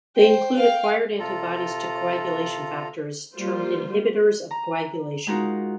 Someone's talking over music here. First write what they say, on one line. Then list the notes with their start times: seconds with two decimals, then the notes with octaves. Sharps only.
They include acquired antibodies to coagulation factors, termed inhibitors of coagulation.
0.16 C5 G5
0.57 F5 G5
1.19 C3 F4 A4 A#5
3.36 G3 A#3 F4 C5
4.51 A#5
5.27 G#3 D#4 F4 F#4 A#4